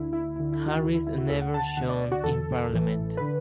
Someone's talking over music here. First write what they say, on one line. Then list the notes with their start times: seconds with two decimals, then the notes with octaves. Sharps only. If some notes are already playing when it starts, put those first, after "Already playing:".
Harris never shone in Parliament.
Already playing: D2 D3 E4
0.13 E4
0.36 D2 D3 E4
0.52 E4
0.68 F#4
0.84 D2 D3 E4
0.95 E4
1.07 E4
1.18 F#4
1.30 D2 D3 A4
1.42 F#5
1.54 A5
1.65 A5
1.77 D2 D3 F#5
1.89 D5
2.12 F#4
2.23 E2 D3 A4
2.70 A1 A2 E3
3.17 D3 B4